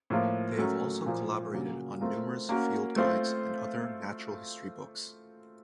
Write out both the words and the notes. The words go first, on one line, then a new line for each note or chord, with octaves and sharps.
They have also collaborated on numerous field guides and other natural history books.
A2 F3 A#3 F4
F#3 A3 C#4 F#4 A#4
A#2 F3 A#3
C#3 F#3 A#3
A3 C4 F4 A#4
A#3 C#4 F#4 A#4
A3 C4 F4 C5